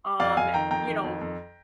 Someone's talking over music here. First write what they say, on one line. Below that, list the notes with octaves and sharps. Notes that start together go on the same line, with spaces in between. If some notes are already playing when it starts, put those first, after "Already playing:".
um, you know,
F2 D5 F5
F2 F5 G#5
D#3 G5 A#5
F2 G5 A#5
D#3
F2
F2